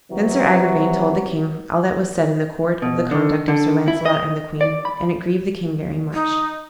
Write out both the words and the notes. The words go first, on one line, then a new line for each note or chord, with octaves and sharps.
Then Sir Agrivain told the king all that was said in the court of the conduct of Sir Launcelot and the queen, and it grieved the king very much.
C3 E3 F#3
B2
D3
D3
E4
D#5
D5
B5
D#4